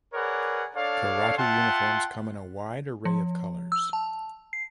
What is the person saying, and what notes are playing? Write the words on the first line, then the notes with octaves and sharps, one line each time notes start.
Karate uniforms come in a wide array of colours.
G#4 A#4 B4 C#5 D5 F#5
D4 A4 C#5 D5 F5
F4 E5 F#5 G5 A5 C6
F3
E6
A5
C7